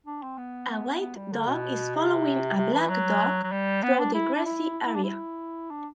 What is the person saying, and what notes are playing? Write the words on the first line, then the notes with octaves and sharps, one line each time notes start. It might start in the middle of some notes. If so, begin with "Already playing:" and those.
A white dog is following a black dog through the grassy area.
D4
C4
B3
B3
G3
D3
B2
C3
C3
E3
F#3
F#3
G3
B3
D4
E4
D4
E4
E4
D4
E4
D4